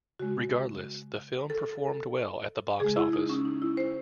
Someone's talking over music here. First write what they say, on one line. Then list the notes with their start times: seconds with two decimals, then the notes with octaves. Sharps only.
Regardless, the film performed well at the box office.
0.19 C#3 G#3 F#4
1.50 A4
2.80 C#3 G#3 G#4
2.96 E4
3.13 D#4
3.29 C#4
3.45 D#4
3.62 E4
3.77 C5